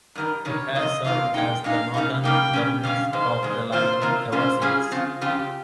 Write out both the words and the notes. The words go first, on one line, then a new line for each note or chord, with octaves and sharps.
It has served as the northern terminus of the line ever since.
G2 D#3 G3 A#4
G2 D#3 G3 C#5
F2 D#3 A#3 F4 D#5
F2 D#3 A#3 F4 F5
A#2 G#3 D#4 G5
A#2 G#3 D#4 F5
C#3 G3 A#3 D#4
C#3 G3 A#3 D#4 G5
C#3 G3 C#4
C#3 G3 C#4 F5
G#2 D#3 G#3 C5
G#2 D#3 G#3
C3 D#3 A#3 F4 C5
C3 D#3 A#3 F4 A#4
C3 G3 C#4 F4 C5
C3 G3 C#4 F4 G#4
C#3 F3 C4 F4
C#3 F3 C4 F4 G4